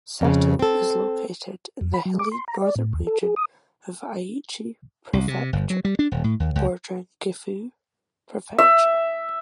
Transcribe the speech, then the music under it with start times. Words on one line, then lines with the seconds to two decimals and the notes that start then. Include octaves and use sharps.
Seto is located in the hilly northern region of Aichi Prefecture, bordering Gifu Prefecture.
0.21 F2 C#3
0.59 C4 A4
1.81 F2
1.94 B5
2.05 F#3
2.19 D6
2.31 C6
2.48 A#5
2.62 D5
2.76 A2
2.93 D#2
3.07 A4
3.23 G#4
3.36 D#6
5.13 C2
5.28 C3
5.53 G1
5.70 F#3
5.85 G3
5.99 D4
6.11 D#1
6.24 A2
6.40 D#2
6.55 C#2
8.58 E5